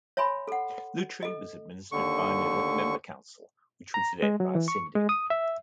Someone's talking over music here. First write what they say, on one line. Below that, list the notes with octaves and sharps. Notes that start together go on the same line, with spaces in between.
Lutry was administered by an eleven-member council which was led by a Syndic.
C#5 E5 G#5 B5 C6
A4 F#5
A4 D#5
D#2 D3 C#6
A#5
G#3
F#3
E3
C#6
G#3
D#6
E5